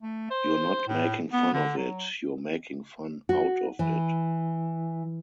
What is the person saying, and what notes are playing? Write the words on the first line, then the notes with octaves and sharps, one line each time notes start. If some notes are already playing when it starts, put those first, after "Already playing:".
You're not making fun of it; you're making fun "out" of it.
A3
C5
A2
B3
D3
F#3
F#4
E3